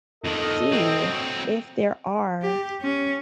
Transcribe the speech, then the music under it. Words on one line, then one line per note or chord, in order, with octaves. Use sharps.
see if there are
F2 D#3 A4 D#5
F#3 C4
G4
C#4